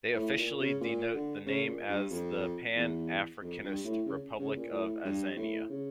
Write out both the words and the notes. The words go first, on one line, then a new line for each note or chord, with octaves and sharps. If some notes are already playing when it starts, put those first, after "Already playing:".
They officially denote the name as the "Pan-Africanist Republic of Azania".
A2
A#2
C#3
A#2
D3
C#3
A#2
G2
F2
E2
F2
G2
A2
C#3
C#3
A#2
A2
G2
A2
C#3